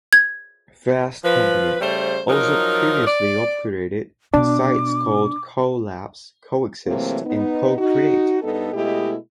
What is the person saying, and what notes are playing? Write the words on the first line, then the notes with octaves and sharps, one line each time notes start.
"Fast Company" also previously operated sites called Co.Labs, Co.Exist, and Co.Create.
G#6
F3 B4
C#3 G3 A3 C5
F3 F#3 D#4 A#4
D5
B2 D4 D6
C3 E3 F#3 A3 A#3 C4
B3 D#4
D#4 F#4
G2 B3 D#4 A4
B2 G#3 A3 E4 G4 D#5